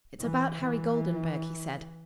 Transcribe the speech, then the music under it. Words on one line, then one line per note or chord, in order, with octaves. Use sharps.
"It's about Harry Goldenburg," he said.
E3
E3